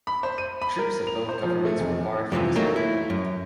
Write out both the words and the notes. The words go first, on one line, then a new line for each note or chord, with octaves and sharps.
Troops of both governments were barred from this area.
B5
C5
D#7
B5
A#4
F7
C5
F3
A3
F1
F2 C3 D#3 E3
F#3 A3 A#3 D#4 A#4
E4
F#2